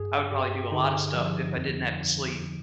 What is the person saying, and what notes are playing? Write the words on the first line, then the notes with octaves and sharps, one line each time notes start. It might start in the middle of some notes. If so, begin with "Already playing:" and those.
I would probably do a lot of stuff if I didn't have to sleep.
Already playing: G2 G#4
G2 G4
D3 D#4
F3
F2